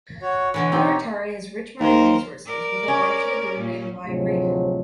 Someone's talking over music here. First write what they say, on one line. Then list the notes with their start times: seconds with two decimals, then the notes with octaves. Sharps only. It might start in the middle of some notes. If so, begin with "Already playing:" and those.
Butaritari has rich marine resources, with a large lagoon and wide reef.
0.22 F#4 C#5
0.54 B2 D3 E3 C#5
0.72 D#3 C4 D#4 G4
1.80 D#2 A#4 C5
2.45 A#4 D5
2.88 C#4
3.59 A#2
4.05 D2 A2 C3 F3 F#3 G#3